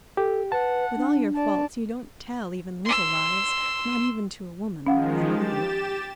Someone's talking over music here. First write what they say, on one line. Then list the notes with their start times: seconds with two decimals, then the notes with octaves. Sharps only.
With all your faults, you don't tell even little lies; not even to a woman--I believe.
0.17 G4 A4
0.52 B4 F#5 A5
0.96 D4
1.35 D5 A5
2.85 C6 E6
4.87 D#3 F3 G#3 C#4 F5 F#5
5.32 G4 A6 E7